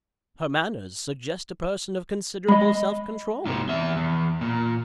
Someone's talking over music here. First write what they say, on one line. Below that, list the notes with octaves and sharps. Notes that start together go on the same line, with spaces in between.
Her manners suggest a person of considerable self-control.
G#3 D#5 B5
G#2 C3
E2 E5
E2
A#2